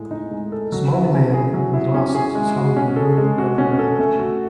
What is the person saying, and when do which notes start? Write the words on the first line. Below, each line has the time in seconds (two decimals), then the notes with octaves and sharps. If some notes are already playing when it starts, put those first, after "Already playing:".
A smiling man in glasses is holding a very young baby.
Already playing: A2 G#3 A4
0.11 D#4
0.31 G#3
0.52 A4
0.72 F#3
0.92 E4
1.13 C#4
1.34 G#4
1.54 F#3
1.74 E4
1.94 C#4
2.15 G#4
2.35 G#3
2.56 F#4
2.76 C#4
2.96 A4
3.17 G#3
3.38 F#4
3.58 C#4
3.79 A4
3.99 A3
4.19 F#4